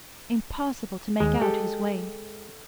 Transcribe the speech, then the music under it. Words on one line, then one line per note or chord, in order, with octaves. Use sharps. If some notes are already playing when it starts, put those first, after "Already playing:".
Impossible to make out his way.
D#2 G#3
G4 A4